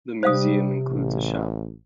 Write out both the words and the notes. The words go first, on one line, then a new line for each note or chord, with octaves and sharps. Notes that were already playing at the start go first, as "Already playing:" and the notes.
The museum includes a shop.
C3 G3 C5 F5 D#6
A1